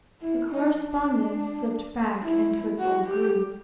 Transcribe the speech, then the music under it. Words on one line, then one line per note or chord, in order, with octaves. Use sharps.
The correspondence slipped back into its old groove.
E4
D#4
D4
E4
F#4
G4